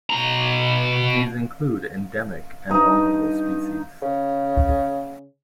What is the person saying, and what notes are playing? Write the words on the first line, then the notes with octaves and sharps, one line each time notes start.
These include endemic and vulnerable species.
B2 A#5
G2 D#4
C#3